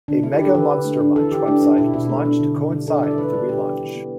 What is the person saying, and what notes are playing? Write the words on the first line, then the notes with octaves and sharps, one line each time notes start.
A Mega Monster Munch website was launched to coincide with the relaunch.
D3 D4
A3 E4
G4
D4
A4
D3 B4
D3
A3
D4
E3 A4
E3 G4
A3 D4
D4
B2 E4
B2 E4
A3
D4
D3
D3
G3
D4 A4
E5
E3 D5
A4
E3 B4
G3 A4
B3 G4
E3
E3
B3